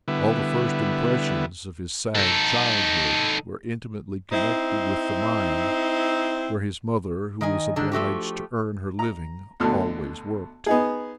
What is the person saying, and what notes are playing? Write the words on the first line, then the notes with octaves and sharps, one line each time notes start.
All the first impressions of his sad childhood were intimately connected with the mine where his mother, who was obliged to earn her living, always worked.
D3 G3 B3 E4
D#4 A4
C4 D#4 E4 C5
D#3 D#5 G#5
D3 D#3 D4
F3 A3 F#4 G4
A#5
D2 B2 D3
B3 D#4 G#4